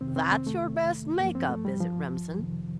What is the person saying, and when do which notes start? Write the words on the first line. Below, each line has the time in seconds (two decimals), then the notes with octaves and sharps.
"That's your best make-up, is it, Remsen?"
0.01 F2 C3 D#3 C4
0.16 C4
0.32 C4
0.47 A3
1.20 G2 F3 A#3
1.35 C4
1.50 A3
1.65 G3
1.80 F3
2.39 F2 C3 D#3